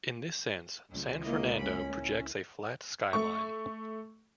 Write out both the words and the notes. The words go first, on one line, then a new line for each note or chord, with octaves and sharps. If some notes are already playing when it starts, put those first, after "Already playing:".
In this sense, San Fernando projects a flat skyline.
C#2
A#3 E4 D#5
C#4 B5
E4
A3 C#6